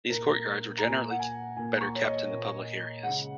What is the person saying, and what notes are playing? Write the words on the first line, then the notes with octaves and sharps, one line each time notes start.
These courtyards were generally better kept than the public areas.
A#2 A#3 A#4
A#5
A#2 A#3 G#5
F#5
G#5
A#2 A#3 G#5
A#5
C#6
C#5
D#5
A#2 A#3
C#3 G#3 F#5